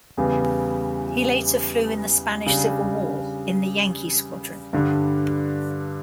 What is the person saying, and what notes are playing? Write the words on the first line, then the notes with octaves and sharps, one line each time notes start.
He later flew in the Spanish Civil War in the Yankee Squadron.
E2 C#3 G3 B3
C#3 G3 D4
G2 D3 G3 D4